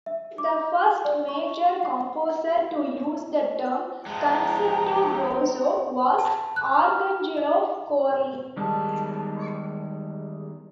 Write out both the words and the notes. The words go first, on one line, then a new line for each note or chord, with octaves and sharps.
The first major composer to use the term "concerto grosso" was Arcangelo Corelli.
E5
D6
D5
C#6
F#5
F3 G#3 G5 A5 A#5
A5
F#6
F6
D#5
E2 D#3 G3 G#3 A5